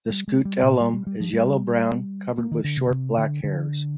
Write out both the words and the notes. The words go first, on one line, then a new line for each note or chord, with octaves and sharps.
The scutellum is yellow brown covered with short black hairs.
G3
G#3
G3
A#2
G3
G3
G3
F3
G3
A#3
D#3
D3
C3
C3
D3
D3